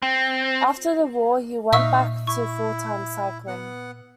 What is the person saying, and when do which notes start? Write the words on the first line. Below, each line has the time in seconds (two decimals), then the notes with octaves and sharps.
After the war, he went back to full-time cycling.
0.02 C4
1.73 A#2 D#4 E5 F5 C#6 E6
2.27 E4 C#6
3.47 B3 F#5